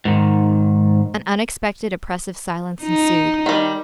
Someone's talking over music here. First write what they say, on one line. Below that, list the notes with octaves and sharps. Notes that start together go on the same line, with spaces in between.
An unexpected, oppressive silence ensued.
G#2 D#3
D#4
D#3 G3